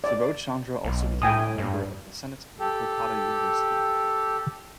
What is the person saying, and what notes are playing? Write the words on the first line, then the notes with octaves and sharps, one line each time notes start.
Subodhchandra also became a member of the Senate of the kolkatta University.
D5
B1
A2 G5 G#5 D#6
G2
G4 A4